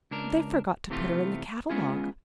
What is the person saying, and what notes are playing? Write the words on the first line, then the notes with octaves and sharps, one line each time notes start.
"They forgot to put her in the catalogue."
C#2 D4 A#4
C3 E3 A3 B3 C4 F4
G#3 B3 C#4 F4 G#4